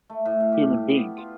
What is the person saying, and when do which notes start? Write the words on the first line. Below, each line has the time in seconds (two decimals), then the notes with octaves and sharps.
human being.
0.10 A3
0.25 A2
0.40 F5
0.52 G4
0.89 B3
1.17 F4